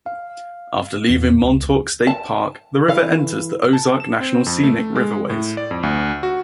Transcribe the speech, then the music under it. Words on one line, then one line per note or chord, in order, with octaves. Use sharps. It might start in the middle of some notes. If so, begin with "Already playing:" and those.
After leaving Montauk State Park the river enters the Ozark National Scenic Riverways.
F5
E2
C#2
A5
E3 A4 F5
A5
E7
C4
F2
A3
G#3
A2
D5
F2
D2
F#4